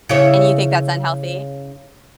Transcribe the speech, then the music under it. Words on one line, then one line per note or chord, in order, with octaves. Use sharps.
And you think that's unhealthy?
C#3 E4 C#5